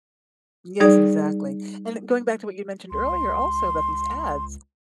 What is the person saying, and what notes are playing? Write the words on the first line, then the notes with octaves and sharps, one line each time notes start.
Yes, exactly. And going back to what you mentioned earlier also about these ads,
G3 D#4 G#4 D5
C#2 C6